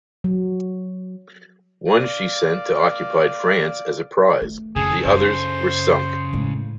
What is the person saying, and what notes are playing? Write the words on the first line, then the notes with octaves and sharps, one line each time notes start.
One she sent to occupied France as a prize; the others were sunk.
F#3
D5 F5
A3
F2 C#3 G#4 A4
F#2 C5
A2 G#3